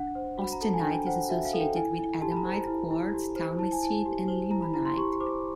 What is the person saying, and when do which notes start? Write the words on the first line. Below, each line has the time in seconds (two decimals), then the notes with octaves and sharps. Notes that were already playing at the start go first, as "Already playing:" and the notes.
Austinite is associated with adamite, quartz, talmessite and limonite.
Already playing: D4 F#5
0.15 C5
0.38 F#4 B5
0.52 A#5
0.61 A4 A5
0.73 G#5
0.83 D4 G5
1.07 C5 F#5
1.29 F#4 E5
1.45 F5
1.53 A4
1.61 G5
1.76 E4 G#5
1.99 E4
2.22 G4 A5
2.32 B5
2.36 A#5
2.45 C5
2.52 A#5
2.67 E4
2.91 E4
3.14 G4
3.36 C5
3.59 E4 A5
3.72 G#5
3.82 E4 A5
4.06 G4
4.28 C5
4.51 E4 A#5
4.62 B5
4.73 E4 A#5
4.86 C6
4.97 G4 C#6
5.20 C5 D6